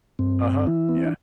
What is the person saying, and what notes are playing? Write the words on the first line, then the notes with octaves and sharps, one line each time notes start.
Uh-huh. Yeah.
G2 C4
E3 E4
B3
C4
D4